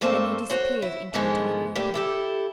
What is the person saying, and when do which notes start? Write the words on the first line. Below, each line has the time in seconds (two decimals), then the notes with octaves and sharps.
Then he disappeared into a tiny opening.
0.01 G2 A3 A#3 C4 C5 A5
0.50 F#4 C5 C#5
0.82 E4
1.14 G#2 D3 D#3 F3 G#3 B3
1.75 A2 A#3 G4 D5
1.94 E4 G4 A4